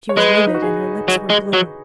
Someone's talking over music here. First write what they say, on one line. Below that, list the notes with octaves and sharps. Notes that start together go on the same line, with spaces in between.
She was livid and her lips were blue.
C#5
G#3 B4
D#4
F#4
G#4
F#3
G#3
F#3